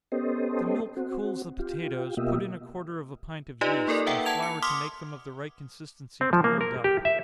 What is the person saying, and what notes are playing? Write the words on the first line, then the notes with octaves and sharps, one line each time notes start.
If the milk cools the potatoes, put in a quarter of a pint of yeast, and flour to make them of the right consistency to mould up.
B3 C#4 G4 A4 C5 D#5
C4 F#4
F4 G4
B2 A#3 F4 G4 D#5 E5
D#4 F4 G4 B4 D5 D#5
A#3 A4 A#4 D5
B4 E5 F#5 G5 A#5
F#5 A5 G#6 F7
C#7
C6 D6 D#6 F6 B6
C4
F3
A#3
A#4
G4
E5